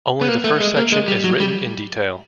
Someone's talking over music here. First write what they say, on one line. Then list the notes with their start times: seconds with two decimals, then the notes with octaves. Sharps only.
Only the first section is written in detail.
0.21 B3
0.28 A#3
0.44 A3
0.60 G#3
0.76 A#3
0.92 G#3
1.08 G3
1.24 F#3
1.40 G3